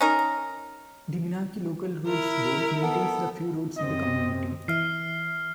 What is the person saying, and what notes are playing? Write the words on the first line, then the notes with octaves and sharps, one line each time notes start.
The Minaki Local Roads Board maintains the few roads in the community.
C#4 D#4 A#4
E4 A#4
B3 A4
F#2 C3 C4 D#5
E3 E5 F6 C7